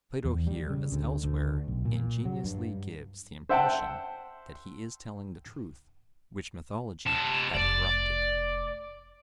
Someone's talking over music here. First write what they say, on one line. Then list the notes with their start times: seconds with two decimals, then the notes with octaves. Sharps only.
Plato here, as elsewhere, ingeniously gives the impression that he is telling the truth which mythology had corrupted.
0.24 E2
0.47 G3
0.70 C#3
0.92 D2
1.24 D2
1.68 B1
1.85 A#2
2.25 F#3
2.44 G2
3.49 C5 E5 F#5 G5 A5
7.06 C3 A5
7.55 F1 D5